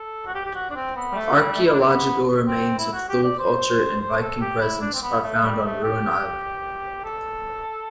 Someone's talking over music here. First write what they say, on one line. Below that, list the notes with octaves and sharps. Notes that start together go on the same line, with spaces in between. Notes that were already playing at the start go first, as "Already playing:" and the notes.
Archeological remains of Thule Culture and Viking presence are found on Ruin Island.
Already playing: A4
F#4
G4
G4
F#4
D4
C4
B3
G3
A3
G3
A3
E4
D4
C4
B3
C4
E4
F#4
G4
D5
C5
C5
A4
G4
E4
D4
C4
B3
A3
G3
A3
G4
A4